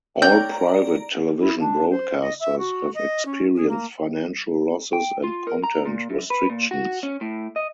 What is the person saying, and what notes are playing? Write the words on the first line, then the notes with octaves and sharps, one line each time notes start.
All private television broadcasters have experienced financial losses and content restrictions.
C#4 D5 G5 A#5 G6
E4
D4
C5
D#5
E5
F#4
D#5
C#4
G#4
A#3
G5
F4
A#4
A#5
A#2
F#2
B4
A#2
F#4
C#4
A2
D#5